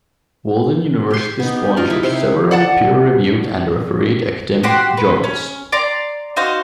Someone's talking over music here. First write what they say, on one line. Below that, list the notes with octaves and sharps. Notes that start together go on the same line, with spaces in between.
Walden University sponsors several peer-reviewed and refereed academic journals.
G4 C6
B3 D#4
G4
F4 A#4 D#5
D#4 E4
C3 C6
D5 F#5 A5
F#4 G4 F#5 C6
B4
C#4
D5 A#5 C6
D#4 F#4 C5 F5